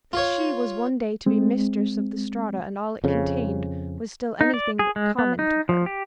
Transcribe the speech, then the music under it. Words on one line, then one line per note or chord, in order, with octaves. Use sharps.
That she was one day to be mistress of the Strata and all it contained was still anything but "common" to her.
F4 C#5
G#3 C4
F2 C#3
D#4
D5
G#4
G#3
B3
D#4
F3
G4